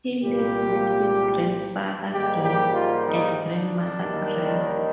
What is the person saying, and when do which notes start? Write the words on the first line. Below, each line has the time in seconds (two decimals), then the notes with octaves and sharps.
He lives with his grandfather, Grim, and grandmother, Gram.
0.21 C2 A#2 G3 A#3 G4
2.11 G#2 D#3 G3 A#3 G4
2.42 G4
2.74 F4
3.05 D#4
3.53 D4
4.00 D#2 D#3 G3